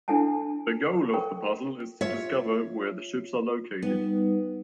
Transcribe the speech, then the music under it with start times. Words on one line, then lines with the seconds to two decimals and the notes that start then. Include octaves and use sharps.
The goal of the puzzle is to discover where the ships are located.
0.08 D4 E4 A4 F#5 G#5 A5
1.14 A4 A#4 G5 C#6
2.01 F4 C#5 E5
3.82 G3 B3 D#4